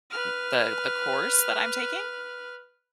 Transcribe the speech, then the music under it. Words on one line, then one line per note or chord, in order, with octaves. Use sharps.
m the the course that I'm taking,
B4 F6